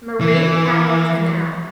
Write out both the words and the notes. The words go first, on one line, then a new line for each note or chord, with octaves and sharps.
Marie Power Canal.
E3